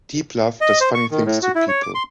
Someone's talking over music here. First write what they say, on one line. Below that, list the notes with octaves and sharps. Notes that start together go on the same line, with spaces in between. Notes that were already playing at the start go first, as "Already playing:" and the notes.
Deep love does funny things to people'.
D#5
C5
C#6
D#3
A2
F#4
E4
C#5
D6
C6